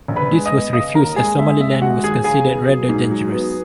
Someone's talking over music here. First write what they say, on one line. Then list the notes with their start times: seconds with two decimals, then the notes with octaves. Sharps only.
This was refused as Somaliland was considered rather dangerous.
0.08 A#1
0.16 B4 B5
0.31 G#3
0.46 D#5 D#6
0.52 B3
0.73 C#3 D#5 D#6
0.95 D#2 A#4 A#5
1.16 G#3 G#4 G#5
1.39 G#3 E5
1.59 G#3 E5
1.81 G#3 F#4 F#5
2.03 D#2 G#4 G#5
2.24 C#3 G#4 G#5
2.46 B3
2.68 F#3
2.89 G#2
3.11 F#3
3.32 B3